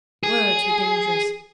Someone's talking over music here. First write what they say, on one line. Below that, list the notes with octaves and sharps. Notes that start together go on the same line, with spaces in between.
Words were dangerous.
G#4